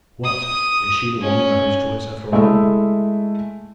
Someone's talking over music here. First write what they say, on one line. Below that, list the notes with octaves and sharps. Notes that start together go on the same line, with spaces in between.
'What--is she the woman of his choice after all?'
D#6
C#4
G#3 A3 E4 A4 E5